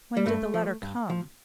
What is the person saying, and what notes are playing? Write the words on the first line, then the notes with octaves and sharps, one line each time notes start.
When did the letter come?'
G3
G2 A3
F3
G2
F3